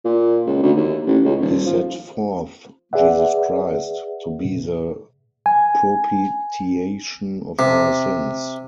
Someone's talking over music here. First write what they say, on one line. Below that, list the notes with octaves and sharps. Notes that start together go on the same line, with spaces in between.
He set forth Jesus Christ... to be the propitiation of our sins.
A#2
C#2
D2
D#2
A1
C#2
D#1
F3
G#4 B4 D5 E5 F#5
G#5
C3